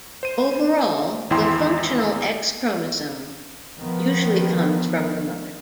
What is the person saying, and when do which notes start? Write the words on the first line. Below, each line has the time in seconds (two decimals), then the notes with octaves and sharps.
Overall, the functional X chromosome usually comes from the mother.
0.23 C5 D#7
1.30 G#1 E2 E4 G5 C6
3.77 D#3 F3 B3